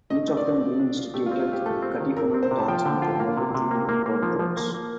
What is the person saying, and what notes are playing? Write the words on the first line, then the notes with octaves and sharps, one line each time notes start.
Each of them re-instituted Katipunan thoughts into another two new converts.
A3 D#5
A3
D5
C4
F4
D4
F4
A3 G4
F4
C4
F4
A3
G4
A3 A4
C4
D#3
C4 A#4
C4
C5
C3
A5
F3 G5
D3 G5
F4 G5
G5
A#3 F5
C3
C3
A#3
A#3
A#3
F3
F3
A#3
A#3